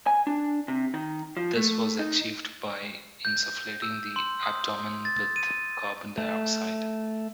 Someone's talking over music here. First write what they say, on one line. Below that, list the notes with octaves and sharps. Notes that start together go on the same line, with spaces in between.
This was achieved by insufflating the abdomen with carbon dioxide.
G#5
D4
C3
D#3
F3
A3
D#4
G6
E6
C6
D#6
A6
D#7
A3